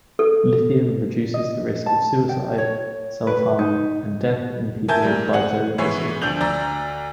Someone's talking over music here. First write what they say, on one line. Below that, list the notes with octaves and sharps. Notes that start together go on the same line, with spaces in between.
Lithium reduces the risk of suicide, self-harm, and death in people with bipolar disorder.
A4
D#5
A5
G5
C#5
B4
D#4
A#4 E5 G#5 A5 G6 G#6
A#2 G3
G#4 F#5 F#7
G#2 E3 B3 C#5 C7
D2 F3 D4 G6 F7 F#7
D2 D5 A#5 E6